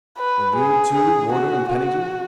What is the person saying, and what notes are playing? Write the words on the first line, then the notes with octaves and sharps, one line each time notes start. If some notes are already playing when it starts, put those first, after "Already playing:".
"And you, too, Warner and Pennington?"
B4
G#4
G#4
F#4
F#4